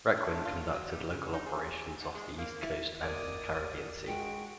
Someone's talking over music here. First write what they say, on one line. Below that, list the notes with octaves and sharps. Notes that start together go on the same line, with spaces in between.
"Requin" conducted local operations off the East Coast and in the Caribbean Sea.
D4
F4
F#3
G3
C#3
D#4
G#4
G#2
G#3
A#3
E4
G1 A#4 D5 D#5 D#6 G#6
G#3 F#4 G5